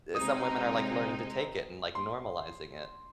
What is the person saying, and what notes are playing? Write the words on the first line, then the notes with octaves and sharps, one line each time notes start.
some women are, like, learning to take it and, like, normalizing it.
C3 G#3 C4 D#4 D#6
C6